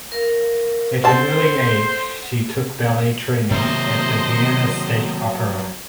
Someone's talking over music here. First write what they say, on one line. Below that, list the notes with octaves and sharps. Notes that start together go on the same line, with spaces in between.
At an early age she took ballet training at the Vienna State Opera.
A#4 F5
C4 A4 C5 F#5 A5
C3 D#3 F#3 A#3 E4 C5 D#5